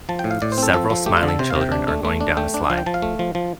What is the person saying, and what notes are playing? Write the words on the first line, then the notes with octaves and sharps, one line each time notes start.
Several smiling children are going down a slide.
F3 A5
G5
A2
F5
A2 D5
C5
C4 A4
F3 A4
F3
A3 G4
F4
D3
A4
C3 C5
F5
C3
G5
D4
A3
A3
D4
A3 G5
D4
F3 F5
G5
F3 A5
F5
A3
F3
F3